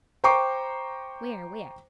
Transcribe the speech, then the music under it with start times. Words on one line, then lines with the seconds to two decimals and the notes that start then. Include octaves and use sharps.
Where, where?
0.24 C5 G5 A#5 C#6 D6 C7